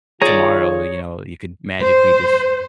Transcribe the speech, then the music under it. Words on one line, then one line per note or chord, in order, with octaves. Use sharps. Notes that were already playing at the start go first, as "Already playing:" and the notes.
tomorrow, you know, you could magically just
D#3 F4 G#4 C#5 D5 A#5
C5